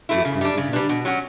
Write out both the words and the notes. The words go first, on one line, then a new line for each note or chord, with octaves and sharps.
"You approve of him?"
E3 A3 E4
C#3
G3 D4
C#3
G3 D4
B2
F#3 C#4 F#4